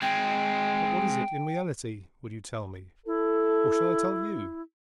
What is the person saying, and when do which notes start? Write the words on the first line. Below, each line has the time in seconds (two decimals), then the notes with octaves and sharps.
But what is it, in reality, will you tell me? Or shall I tell you?
0.02 G#3 C4 G5
3.06 E4 A4